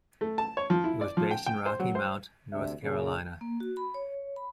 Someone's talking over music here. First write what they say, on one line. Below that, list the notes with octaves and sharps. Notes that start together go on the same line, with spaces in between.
It was based in Rocky Mount, North Carolina.
A3
A5
C#5
F3
E4
D5
F3
G5
G5
C5
F#3
C5
D2 C3 D4 E5
A#2 C#3
A#3
F#4
B5
C#5
B5